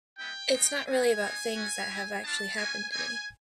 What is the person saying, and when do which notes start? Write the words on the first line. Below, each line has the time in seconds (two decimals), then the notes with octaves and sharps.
It's not really about things that have actually happened to me.
0.18 G#3 B3 E4 G5
0.53 G#3 C4 D#4
0.86 A#3 D#4 F#4 G#5
1.20 G#3 C4 D#4
1.55 A3 C#4 F#4
1.89 C4 E4 G4
2.23 B3 D4 F4 A5
2.57 G3 A#3 C#4 F#4 G#5
2.92 A3 C4 D#4 G4 G#5